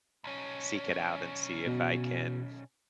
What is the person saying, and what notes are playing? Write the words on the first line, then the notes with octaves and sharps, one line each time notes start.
seek it out and see if I can
B1 C#4
B2